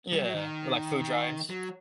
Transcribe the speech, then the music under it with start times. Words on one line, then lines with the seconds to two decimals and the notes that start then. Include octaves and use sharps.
Yeah, like food drives.
0.13 G3
0.23 F#3
0.35 D#3
1.50 F#3